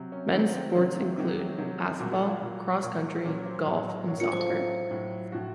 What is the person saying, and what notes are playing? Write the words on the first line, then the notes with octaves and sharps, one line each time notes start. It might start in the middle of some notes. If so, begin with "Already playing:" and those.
Men's sports include: basketball, cross country, Golf, and soccer.
Already playing: C3 F#3
C#4
C3 D#3 F#3 C4
C4
C3 D#3 F#3 C#4
C3 D#3 F#3
C3 D#3 F#3
A#2 F#3 F#4
A4
F4
A#2 F#3
A#2 F#3
A#2 F#3 C#4
C5
A2 F#3 C#5
D#5
A2 F#3 C#5
A#4
F#4
A4
A2 F#3
A2 F#3
A2 F3 F#4